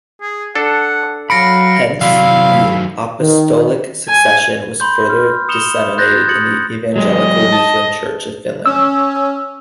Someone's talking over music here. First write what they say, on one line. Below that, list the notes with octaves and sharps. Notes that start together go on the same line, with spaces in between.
Hence the apostolic succession was further disseminated in the Evangelical Lutheran Church of Finland.
G#4
D4 A4 F#5
F#3 F5 B5 A#6 C#7 D7
C3 D#3 F#3 E4 D5 F5
D#3
G#5
B5 C6 G6
F6
D#6 C#7 E7 F7 G7
C6 F#6 G6 A6 A#6
D#6 G#6 A6 C#7 F#7
F#3 G#3 D#5
A5
C#4 E6